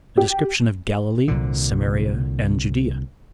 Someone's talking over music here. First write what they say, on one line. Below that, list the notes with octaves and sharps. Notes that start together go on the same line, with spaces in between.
A Description Of Galilee, Samaria, And Judea.
G4
C2 A#2 D3